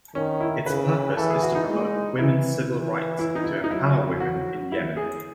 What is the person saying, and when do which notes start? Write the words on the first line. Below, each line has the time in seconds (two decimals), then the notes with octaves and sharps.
Its purpose is to promote women's civil rights and to empower women in Yemen.
0.15 D#3 C#4
0.41 E4
0.66 C#3 B4
1.16 E3 A4
1.30 G#4
1.43 F#4
1.55 D#4
1.67 G#3
2.18 E3 E4
2.69 E3
3.19 E4
3.35 D#4
3.44 E4
3.64 D#4
3.70 F#3 E4
4.20 F#4
4.72 E4
4.97 G#4